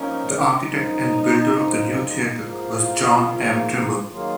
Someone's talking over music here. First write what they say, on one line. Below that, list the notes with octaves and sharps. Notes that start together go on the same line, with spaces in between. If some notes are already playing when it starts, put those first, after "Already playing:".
The architect and builder of the new theatre was John M. Trimble.
Already playing: F3 A#3 C#4 D#4 A#4
F#2 F3 G#3 D#4
F#2 F3 G#3
G#2 F3 A#3 F4
G#2 F3 A#3
D#3 F#3 A#3 F4 G#4